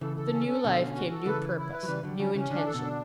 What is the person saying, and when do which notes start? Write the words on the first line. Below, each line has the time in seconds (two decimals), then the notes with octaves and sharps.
With the new life, came new purpose, new intention.
0.01 C#3 E3 A4
0.17 A4
0.32 C#4
0.48 A4
0.64 B2 D3 C#4
0.80 C#4
0.95 F#4
1.11 A4
1.25 C#3 E3 B4
1.41 E4
1.57 E4
1.72 B4
1.83 F#3
1.88 C#3 E3 G3
2.03 D3 F#3 G3
2.19 D3 F#3 C#4
2.35 C#3 E3 C#4
2.50 D3 D4
2.63 E3 A4
2.74 B2 D3
2.81 D4